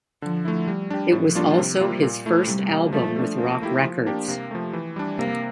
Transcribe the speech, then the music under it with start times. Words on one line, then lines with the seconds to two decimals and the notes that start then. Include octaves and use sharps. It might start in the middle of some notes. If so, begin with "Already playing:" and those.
It was also his first album with Rock Records.
0.22 D3 F3
0.45 A3 E4
0.68 G3
0.90 D4 G4
1.13 A2 F3
1.35 G3 A#3 D4 F4
1.58 C3
1.81 G3 A#3 F4
2.02 A#2
2.26 A3 E4
2.47 C3 G3
2.71 G3 A#3
2.93 F3 A3
3.16 A3 D4
3.38 F3 A#3
3.61 A3 E4 G4
3.83 F3
4.06 A#3 D4 G4
4.28 C3 A#3
4.51 F3 A3
4.73 E3
4.96 G3 D4
5.19 C3 A#3